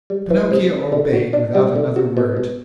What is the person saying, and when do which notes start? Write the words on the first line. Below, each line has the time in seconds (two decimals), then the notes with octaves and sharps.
Pinocchio obeyed without another word.
0.10 G3
0.30 E3
0.51 C3
0.72 D4
0.92 D3
1.13 F#4
1.33 D4
1.55 G3
1.76 D3
1.96 F#4
2.17 B2
2.37 B2